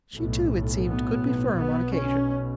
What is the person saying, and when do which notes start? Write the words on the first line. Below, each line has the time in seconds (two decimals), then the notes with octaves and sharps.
She, too, it seemed, could be firm, on occasion.
0.13 B1 A2
0.86 B3
1.57 B1 B2 B3
1.93 C#4